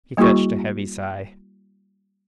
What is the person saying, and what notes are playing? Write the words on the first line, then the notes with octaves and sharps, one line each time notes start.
He fetched a heavy sigh.
G3 A#3 E4 F#4 G#4 C#6